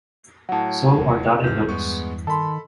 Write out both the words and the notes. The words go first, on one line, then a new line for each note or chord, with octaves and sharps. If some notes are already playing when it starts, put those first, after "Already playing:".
So are dotted notes.
A2 F#3 F#5 A5
D#1
D#1 A1 G#2 C3 F6 G6
E2 G2 G#3 B3 C#6
D#3 A4 A5 B5 C6